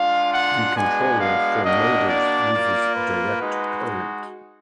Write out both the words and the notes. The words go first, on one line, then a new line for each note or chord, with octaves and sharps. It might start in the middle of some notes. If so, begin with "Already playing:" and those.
The controller for motors uses direct current.
Already playing: G#3 D4 F4 F5
F#5
G#3 B3 D4 F#4 G#5
F5
A#3 D4 F#4 D#5
D5
A#3 F4
B4
G#3 D#4 F#4